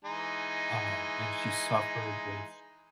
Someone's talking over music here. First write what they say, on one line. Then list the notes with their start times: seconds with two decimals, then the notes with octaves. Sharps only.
um, and she suffered with
0.05 E3 G#3 D#4